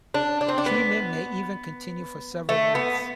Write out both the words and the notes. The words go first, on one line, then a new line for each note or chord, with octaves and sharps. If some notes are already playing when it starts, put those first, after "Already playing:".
Treatment may even continue for several months.
D4
D4
C4
D4
B3
A3
B3